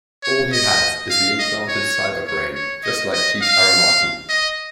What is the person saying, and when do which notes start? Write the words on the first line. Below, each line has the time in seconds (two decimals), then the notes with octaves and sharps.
All he has is the implanted cyber-brain, just like Chief Aramaki.
0.23 C#5
0.52 D#5
1.10 F5
1.39 D#5
1.68 C#5
2.26 C#5
2.55 C#5
2.84 D#5
3.13 D#5
3.42 F5
4.29 D#5